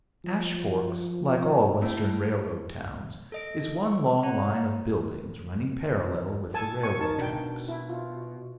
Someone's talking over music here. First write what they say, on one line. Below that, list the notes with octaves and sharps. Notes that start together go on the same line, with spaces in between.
Ash Forks, like all Western railroad towns, is one long line of buildings running parallel with the railway tracks.
F3
A2
A4 D#5 D7
C#6
C#5 F#5 A#5
A4 G#5 A5
G#5 C#6
D#4 A#4 A5
B2 D4 G5
E4
F4